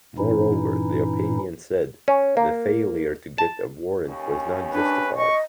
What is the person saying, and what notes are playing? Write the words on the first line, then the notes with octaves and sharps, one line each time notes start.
Moreover, the opinion said, the failure to get a warrant was not justified.
G2 A#2 E3 C#4 D#4 E4
C#4
A#3
A5
D#2 C#4
D4 B4
D#5 C#6